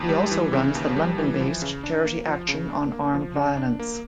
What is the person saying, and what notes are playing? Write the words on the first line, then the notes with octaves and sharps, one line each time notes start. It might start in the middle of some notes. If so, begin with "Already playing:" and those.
He also runs the London-based Charity Action on Armed Violence.
Already playing: D#2
G3
E3
C#3
D#2
G3
E3
F3
C#3
D4
A#3
F3
C#3
D4
A#3
F3
C#3
D4
A#3